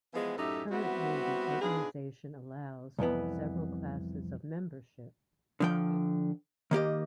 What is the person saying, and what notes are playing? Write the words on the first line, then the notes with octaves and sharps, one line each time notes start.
Currently the organization allows several classes of membership.
E3 F3 G#3 B3
F#2 A2 D#4 G4 A4 E5
G3 B3 C4 E4 F#4
B3 D4 D#4 F4 G#4
C2 F2 E3 B3
D3 F3 G5
D#3 A#3 G4 D#5